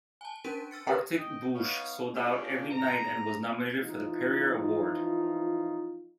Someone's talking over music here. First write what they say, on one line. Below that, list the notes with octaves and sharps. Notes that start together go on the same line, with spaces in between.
"Arctic Boosh" sold out every night and was nominated for the Perrier Award.
G#5 A5
C#4 D4 A#4 B6 D7 D#7
E6 F6 A6 C#7
G4 A#4 B4 C#5 F#5
D#5 G5
B3 D#4 C#5 F5
A#3 C#4 D4 F4 G4 G#4
G#2 A#5
E3 F3 D#4 F4